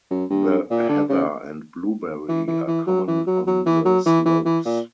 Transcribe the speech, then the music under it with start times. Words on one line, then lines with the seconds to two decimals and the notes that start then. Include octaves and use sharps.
The heather and blueberry are common on the slopes.
0.11 F#2
0.30 G2
0.70 A#2
0.89 D3
1.09 C#3
2.28 E3
2.48 E3
2.67 E3
2.87 F#3
3.07 E3
3.27 F#3
3.47 F#3
3.66 E3
3.85 F#3
4.06 E3
4.25 E3
4.45 E3
4.65 A#2